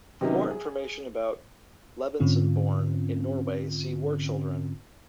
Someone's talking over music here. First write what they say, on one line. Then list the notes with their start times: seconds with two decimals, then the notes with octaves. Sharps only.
For more information about "Lebensborn" in Norway, see war children.
0.21 C3 D#3 F#3 B3 C#4 D#4
0.50 G#4
2.20 G#2 D3 C4 C#4 F4